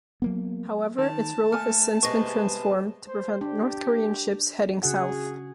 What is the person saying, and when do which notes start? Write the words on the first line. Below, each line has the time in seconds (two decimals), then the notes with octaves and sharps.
However, its role has since been transformed to prevent North Korean ships heading south.
0.22 F#3 A#3 B3
0.98 D#3 A5
1.52 A3 G#5 F6
2.03 C3 G#3 B3 C#6 A#6
3.08 C5
3.41 D4 G4
4.83 C#3 F#4 G#4 F#5